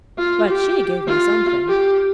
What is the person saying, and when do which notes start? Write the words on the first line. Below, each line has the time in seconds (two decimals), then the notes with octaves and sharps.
But she gave me something.'
0.19 F4
0.49 G4
1.08 F4
1.69 G4